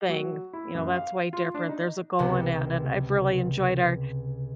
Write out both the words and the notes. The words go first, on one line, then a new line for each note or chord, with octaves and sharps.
thing, you know, that's way different. There's a goal in that, and I've really enjoyed our
F#3
E4
F#2
F5
F4
D4
D#4
C#2 C3 B3